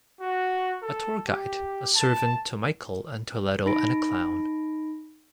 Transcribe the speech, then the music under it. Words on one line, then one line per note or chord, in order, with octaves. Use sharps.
A tour guide, a servant to Michael and Toledo and a clown.
F#4
A4
G4
A5
D#4 B5 A#6 D7